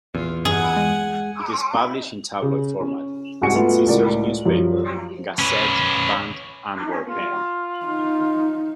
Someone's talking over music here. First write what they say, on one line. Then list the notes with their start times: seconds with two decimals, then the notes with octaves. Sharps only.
It is published in tabloid format as its sister newspaper "Gazet van Antwerpen".
0.15 A#1 E2 F4
0.45 G2 G#4 F#5 G#5
0.77 G#3
2.42 C#3
2.80 C#4
3.41 C2 G#2 F#4 G#5 C#6 C#7
3.54 A3 B3 F4 F#4
3.86 C#2 A2 F#4 A#4 D5
4.45 F#2 F3 G3
5.39 C#4 B4
7.08 F4
7.86 D#4